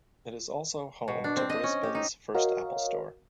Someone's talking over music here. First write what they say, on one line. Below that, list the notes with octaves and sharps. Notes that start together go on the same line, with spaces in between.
It is also home to Brisbane's first Apple Store.
B2
D4
C4
D#5
C#4
G4
D#4
F#4 A#4 C#5 D#5 F5